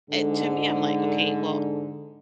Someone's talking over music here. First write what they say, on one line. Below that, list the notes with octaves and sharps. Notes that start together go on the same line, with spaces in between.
eh, to me, I'm like, "Okay, well"
G#2 D3